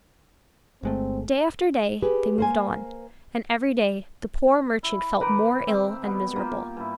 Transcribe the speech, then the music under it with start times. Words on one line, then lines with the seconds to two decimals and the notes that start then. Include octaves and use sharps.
Day after day they moved on, and every day the poor merchant felt more ill and miserable.
0.83 G1 G#3 A3 C4
2.02 G4 G#4 B4
2.38 A#3 C5 G#5
4.83 E4
5.20 D#3 B4 A#5 D6
5.67 C4
6.02 B2 G3 B3
6.36 A#3 F4 G4
6.77 G2 E4